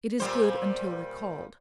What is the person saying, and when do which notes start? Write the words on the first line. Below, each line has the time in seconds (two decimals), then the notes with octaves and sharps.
It is good, until recalled.
0.20 A#2 G3 C5